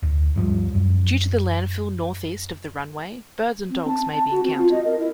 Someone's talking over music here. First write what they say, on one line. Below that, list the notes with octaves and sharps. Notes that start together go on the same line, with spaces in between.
Due to the landfill northeast of the runway birds and dogs may be encountered.
D2
G2 F3 G3
F#2
C4
A5
A5
F#4
C4
F4
D#5
A#4
E4